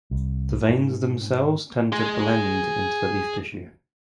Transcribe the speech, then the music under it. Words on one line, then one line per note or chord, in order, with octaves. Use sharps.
The veins themselves tend to blend into the leaf tissue.
C2
G#2
G#4 C6